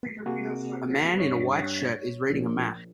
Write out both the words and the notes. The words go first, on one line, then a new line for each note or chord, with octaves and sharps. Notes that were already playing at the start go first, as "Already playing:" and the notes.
A man in a white shirt is reading a map.
C3 A#3 F#4 G#4
G2 C#5
A#1